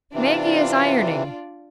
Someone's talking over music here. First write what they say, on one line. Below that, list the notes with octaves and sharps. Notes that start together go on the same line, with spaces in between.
"Maggie is ironing."
C3 E3 D4 F4 D5